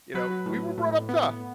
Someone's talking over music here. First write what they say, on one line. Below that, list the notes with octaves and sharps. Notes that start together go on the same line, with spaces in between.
You know, we were brought up tough,
F#3 B4
A2
A2
B3